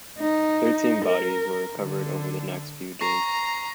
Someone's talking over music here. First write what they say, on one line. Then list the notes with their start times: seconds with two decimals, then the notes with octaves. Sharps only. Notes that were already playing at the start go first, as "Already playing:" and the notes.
Thirteen bodies were recovered over the next few days.
0.19 D#4
1.05 A#4
1.76 D3
3.01 A#5 C#6 A#6 C7